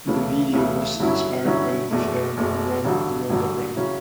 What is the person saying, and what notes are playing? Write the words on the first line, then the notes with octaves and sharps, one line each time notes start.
The video was inspired by the film, "Run Lola Run".
D2 C#3 E3 A3
D2 C#3 E3 A3
G2 D3 F#3 C#4 E4
G2 D3 F#3 C#4 E4
F#1 E2 B2 A3
F#1 E2 B2 A3
A1 G2 D3 F#3
A1 G2 D3 F#3
C#3 F#3 C#4 E4